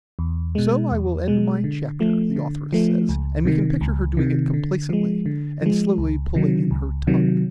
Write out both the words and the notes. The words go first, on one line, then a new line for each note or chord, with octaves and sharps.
"So I will end my chapter," the authoress says; and we can picture her doing it complacently, and slowly pulling in her tongue.
E2
B2 G#3
E2
B2 G#3
D3
F3 A3
D3
F3 A3
C#2
C3 D#3
C#2
C3 D#3
D3
F3 G#3
D3
F3 G#3
C#2
C3 D#3 F#3
C#2
C3 D#3 F#3